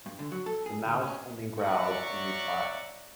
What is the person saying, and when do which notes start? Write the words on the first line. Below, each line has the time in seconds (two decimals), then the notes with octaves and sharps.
The Mouse only growled in reply.
0.06 G2
0.19 D3
0.32 F#3
0.46 A4
0.66 G#4
0.85 D2
1.02 C#4
1.59 C#5 D5 E5 F#5 A#5 C#6